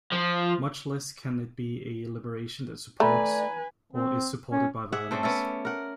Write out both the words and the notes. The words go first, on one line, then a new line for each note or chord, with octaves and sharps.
Much less can it be a liberation that supports or is supported by violence.
F3
A3 B4 D5 G#5 A#5 B5
C4
C#4
G#4 E5 F#5
A3 C4 C#4 D5
B3 C#4 D5 E5
A#4 F#5